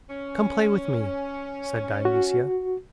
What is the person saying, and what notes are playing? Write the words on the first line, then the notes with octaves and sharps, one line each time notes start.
"Come play with me," said Dionysia.
C#4
F#4